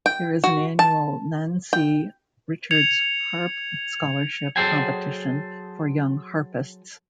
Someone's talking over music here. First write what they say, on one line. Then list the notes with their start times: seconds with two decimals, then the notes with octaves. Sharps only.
There is an annual Nansi Richards Harp Scholarship competition for young harpists.
0.06 G5
0.44 F#4
0.79 A5
1.73 G5
2.71 G#6 C#7 F7
4.56 F#3 G#4 A4 C5 G5 G#5